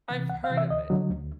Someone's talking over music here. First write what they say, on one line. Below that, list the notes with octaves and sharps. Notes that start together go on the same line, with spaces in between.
I've heard of it.
C3 E3
C#2 F#5
F5
C3 E3
E5
D2 D#5
D3 F#3
D2